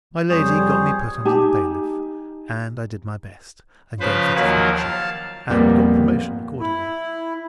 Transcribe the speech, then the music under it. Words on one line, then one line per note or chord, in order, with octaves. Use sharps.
My lady got me put under the bailiff, and I did my best, and gave satisfaction, and got promotion accordingly.
F2 G3 G#4 C5 C#5
D#4 G4 G#5 A5
C#3 F3 B4 C5
D#2 D#3 F3 F#3 A#3
F5 A5
F2 A#2 G3 A#3 B3
E4